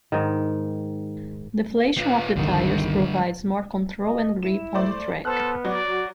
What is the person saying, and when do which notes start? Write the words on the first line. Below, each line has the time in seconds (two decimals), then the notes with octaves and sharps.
Deflation of the tires provides more control and grip on the track.
0.12 G#2 D#3
1.97 B3 F4
2.36 G1 C2 D3 D#3 G3
4.03 D#5
4.43 E4 E7
4.74 A3 C5 D5
5.25 B3 A4 C5 F6 F#6
5.65 F#3 F#4 D5